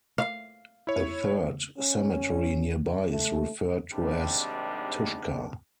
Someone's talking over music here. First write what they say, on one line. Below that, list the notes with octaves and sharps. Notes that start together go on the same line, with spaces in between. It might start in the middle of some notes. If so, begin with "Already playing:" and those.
A third cemetery nearby is referred to as Tushka.
F5
E4 C#5
C#4
A3
G#1 D#2 C3 G3 G#3 D4